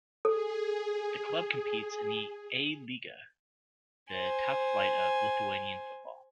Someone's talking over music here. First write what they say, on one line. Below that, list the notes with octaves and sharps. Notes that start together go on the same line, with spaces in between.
The club competes in the A lyga, the top flight of Lithuanian football.
G#4 A4
C5 G#5